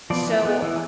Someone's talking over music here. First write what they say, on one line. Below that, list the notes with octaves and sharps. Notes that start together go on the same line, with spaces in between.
so, uh,
F3 B3 D5
E3
B3
E3